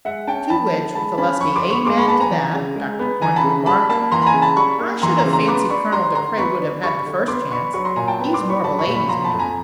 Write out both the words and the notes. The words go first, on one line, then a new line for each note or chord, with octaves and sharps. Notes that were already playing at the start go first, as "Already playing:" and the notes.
To which, with a lusty "Amen to that," Dr. Corney remarked: "I should have fancied Colonel De Craye would have had the first chance: he's more of a lady's man."
G#3 E5 F#5
C#4 G5 A5
F3 A5 B5
D3
G#3 A5 B5
C#4 A5 B5
F3 B5 C#6
C6 D6
D3
B5 C#6
G#3 C6 D6
B5 C#6
B3 A5 B5
G#5 A#5
E3
C#3
G#3
B3
E3 G#5 A#5
A5 B5
C#3
G3 A5 B5
A#3 A5 B5
E3 A#5 C6
B5
G#5 A#5
C#3
A5 B5
G3 B5 C#6
A#3
E3 A#5 C6
A#5 C6
C#3
A#5 C6
B3 C6 D6
D4 B5 C#6
G3 A#5 C6
D3 A#5 C6
B3 B5 C#6
D4
G3 B5 C#6
D3
B3 C6 D6
D4 B5 C#6
F#3 B5 C#6
A#5 C6
A#2 G#5 A#5
G5 A5
B3
C6 D6
D4
B5 C#6
F#3 A5 B5
B5 C#6
A#2
B5 C#6
F3 A#5 C6
A5 B5
F2
G#5 A#5